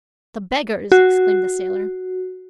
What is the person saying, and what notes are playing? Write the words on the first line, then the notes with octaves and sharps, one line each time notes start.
"The beggars," exclaimed the sailor.
F#4